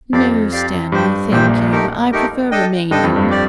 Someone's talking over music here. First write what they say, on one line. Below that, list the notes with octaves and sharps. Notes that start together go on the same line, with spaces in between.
'No, Stanley, thank you; I prefer remaining.'
F2 G4 D5 F5
G4 D5 F5
G2 G4 C5 G5
A#1 A#2 G4 C5 G5
A3 D#4 G4 A#4
A3 D#4 G4 A#4
D4 A4 D#5 G5
G2 D4 A4 D#5 G5
F2
G2
G4 D5